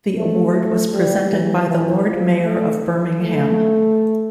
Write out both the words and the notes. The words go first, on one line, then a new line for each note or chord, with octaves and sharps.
The award was presented by the Lord Mayor of Birmingham.
A3
A3
G3
E3
E3
F3
A3
A3